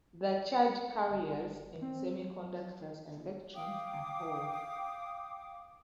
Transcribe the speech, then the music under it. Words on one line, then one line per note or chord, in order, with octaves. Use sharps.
The charge carriers in semiconductors are electrons and holes.
C#7
G1
C4
F#3
F5 G5 D6 D#6